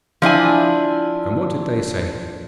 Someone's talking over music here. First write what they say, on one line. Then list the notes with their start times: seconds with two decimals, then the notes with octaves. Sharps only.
'And what did they say?'
0.22 F3 D4 E4 G#5